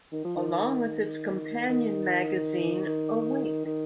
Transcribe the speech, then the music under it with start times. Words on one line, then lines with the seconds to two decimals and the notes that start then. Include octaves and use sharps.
Along with its companion magazine, Awake!
0.12 D#3
0.24 F3
0.37 D#3
1.69 D#3
2.86 D#3
3.65 D#3